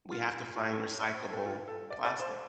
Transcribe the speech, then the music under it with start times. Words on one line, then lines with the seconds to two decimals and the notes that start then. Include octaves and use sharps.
we have to find recyclable plastic.
0.12 F4
0.56 F4
0.71 A4
1.01 D5
1.15 C5
1.31 A4
1.46 F4
1.68 A4
1.90 D5
2.05 D5
2.19 C5